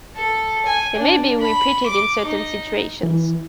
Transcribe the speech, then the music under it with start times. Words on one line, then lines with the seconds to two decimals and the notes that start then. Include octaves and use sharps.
They may be repeated in certain situations.
0.16 A4
0.66 G#5
0.97 D4
1.40 B5
1.87 D6
2.25 D#4
3.03 E3